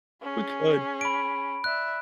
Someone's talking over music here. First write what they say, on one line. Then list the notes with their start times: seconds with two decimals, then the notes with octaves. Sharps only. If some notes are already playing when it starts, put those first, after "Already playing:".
We could.
0.22 C#4 G#4
1.01 B5 D7
1.64 D5 E5 F#6